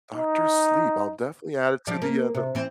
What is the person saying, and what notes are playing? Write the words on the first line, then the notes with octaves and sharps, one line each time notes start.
Doctor Sleep, I'll definitely add it to the, uh, the
D#4
F3 G3 D5
A#3
C3
E3 C4